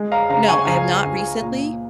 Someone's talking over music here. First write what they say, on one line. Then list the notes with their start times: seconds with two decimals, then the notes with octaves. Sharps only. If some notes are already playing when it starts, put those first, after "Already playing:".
No, I have not recently.
Already playing: G#3
0.12 F5 A#5
0.29 C#3 F5 A#5
0.48 G#5 C#6
0.67 C#2 F5 A#5
1.05 C#2
1.42 A#2